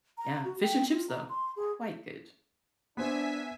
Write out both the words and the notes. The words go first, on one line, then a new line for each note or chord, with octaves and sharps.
Yeah. Fish and chips, though. Quite good,
A#5
F#4
G5
F4
A#5
C6
G#4
B3 D4 C5 E5 G#5 B6